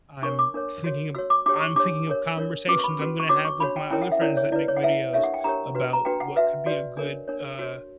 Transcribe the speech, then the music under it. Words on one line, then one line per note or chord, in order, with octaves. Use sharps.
I'm sinking of I'm thinking of conversations I'm gonna have with my other friends that make videos about what could be a good, uh,
D4 A#4 C#5 C#6
D6
D4 A#4 C#5
F#4 C#5
F#4 C#5 E6
D6
D4 G4 C#5 D6
C#6
D4 G4 C#5 D6
D4 A#4 C#5
D4 A#4 C#5
C#4 F#4 B4 D6
C#6
B5
C#4 F#4 B4
C#6
D4 F#4 C#5 D6
C#6
D4 F#4 C#5 B5
G5
C#4 E4 A#4 C#5 G5
F#5
E5
C#4 E4 A#4 C#5 D5
C#5
E4 B4 D5
C#5
F#5
E4 B4 E5
D4 G4 A#4 C#5 E5
F#5
G5
D4 G4 A#4 C#5 A#5
D4 F#4 B4
A#5
D4 F#4 B4 G5
F#5
F#4 B4 E5
F#4 B4 D5
D4 A#4 C#5
D4 A#4 C#5
F#4 C#5